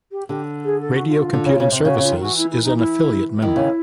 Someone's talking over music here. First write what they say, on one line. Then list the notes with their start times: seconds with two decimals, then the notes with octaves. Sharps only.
Radio Computing Services is an affiliate member.
0.11 G4
0.29 D3 G4
0.64 G#4
0.81 A4
0.94 F#4
1.07 F4
1.15 F#4
1.20 F4
1.33 D3
1.45 C#3
1.60 C#3
1.72 C3
1.85 C#3 F#4
1.98 C#3 F4
2.11 D#3
2.20 E3 F#4
2.37 E4
2.50 E4
2.63 D#4
2.77 E4
3.42 D#3 E4
3.56 C#3